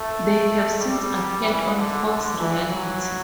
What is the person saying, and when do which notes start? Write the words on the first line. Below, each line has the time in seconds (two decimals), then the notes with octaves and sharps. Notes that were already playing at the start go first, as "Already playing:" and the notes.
They have since appeared on Fox Reality.
Already playing: A3
0.79 G3
1.42 E3
1.75 D3
2.06 D3
2.38 E3
2.69 F#3